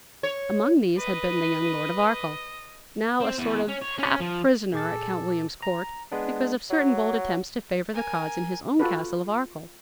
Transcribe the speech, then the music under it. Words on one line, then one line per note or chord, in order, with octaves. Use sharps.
Among these had been the young Lord of Arkell, now a sort of half prisoner at Count William's court because of certain bold attempts to favor the Cods in his own castle of Arkell.
C#5
B4 D#5
C4
E2
C#4
C#5
C#4
F3
A#2 G#4 A4 D6 A6
A#5
G#3 B3 D4
F#3
A#4 G#5
F4 F#4 A4 B4